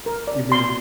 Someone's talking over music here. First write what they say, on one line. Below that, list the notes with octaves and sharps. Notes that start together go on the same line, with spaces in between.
You mean
A#4
D5
C6